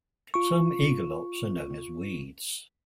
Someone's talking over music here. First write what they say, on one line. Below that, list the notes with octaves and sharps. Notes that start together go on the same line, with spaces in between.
Some "Aegilops" are known as weeds.
F4 C#6